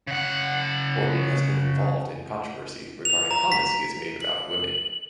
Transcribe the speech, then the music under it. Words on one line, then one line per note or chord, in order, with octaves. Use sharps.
Corbin has been involved in controversy regarding comments he has made about women.
C#3 F#5
F7
A#5
B6
F#7